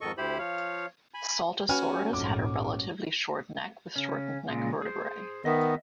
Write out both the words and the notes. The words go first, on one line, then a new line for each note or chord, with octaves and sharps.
"Saltasaurus" had a relatively short neck with shortened neck vertebrae.
F2 G#2 D#3 A4 D#5 C#6
D2 E4 G4 C5 B5
F3 C#5 F5
G#5 B5
C#4 F#4 B4 G#5 F6
A#1 F2 G#2 D6
C#3 C#4
A#2 C#3 G#3
G#4 C5
D#3 B3 D#5 E5